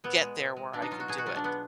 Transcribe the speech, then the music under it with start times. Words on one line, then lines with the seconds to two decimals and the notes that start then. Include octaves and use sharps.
get there where I can do it.
0.04 A#2 B3
0.21 G#3
0.39 A#2
0.56 G#3
0.73 B2 D4
0.82 D#4
0.91 F#3 F4
1.00 F#4
1.08 B2 G#4
1.18 F#4
1.26 F#3 F4
1.36 D4
1.44 B2 B3